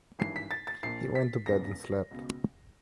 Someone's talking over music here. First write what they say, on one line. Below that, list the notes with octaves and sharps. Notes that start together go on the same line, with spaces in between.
He went to bed and slept.
G#1 G2 E3 C7
B6
A6
A6
A#1 A#2 C7
B6
E1 E2 C#3 A#6
C#2 B2